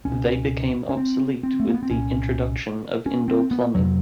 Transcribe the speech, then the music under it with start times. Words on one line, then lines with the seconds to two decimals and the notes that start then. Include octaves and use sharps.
They became obsolete with the introduction of indoor plumbing.
0.05 C#2 B2 C#4
0.89 C#4
0.97 C4
1.43 C4
1.60 A3
1.68 A#3
1.74 B3
1.83 C4
1.90 C2 A#2 C#4
3.06 C#4
3.28 C4
3.51 B3
3.75 F2 C3 F#3